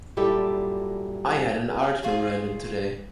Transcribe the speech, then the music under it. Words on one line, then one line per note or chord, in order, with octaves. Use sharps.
I had an art memorandum today.
F#2 A#2 G3 E4 G4 A4
F4 F#4 G#4